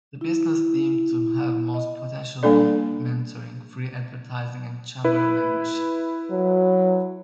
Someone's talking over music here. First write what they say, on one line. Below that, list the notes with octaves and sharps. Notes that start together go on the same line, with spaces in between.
The businesses deemed to have most potential won mentoring, free advertising and chamber membership.
E4
D#5
G3 A#3 D4 A4 D5
E4 B4
F#3